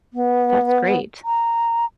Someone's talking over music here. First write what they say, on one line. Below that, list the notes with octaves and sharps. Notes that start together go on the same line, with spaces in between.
That's great.
B3
A#5